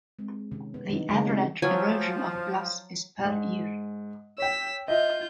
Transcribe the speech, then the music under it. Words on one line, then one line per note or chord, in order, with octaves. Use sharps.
The average erosion of bluffs is per year.
G#3 C4
C3 D#3 C#4
B3
D#3 F#3 D4 D#4
C#3 F#3 G#3
A3 C4 C#4 G4 G#4
F3 F#3 G#5
G#2
C#5 G5 E6 B6
F4 D#5 E5 G6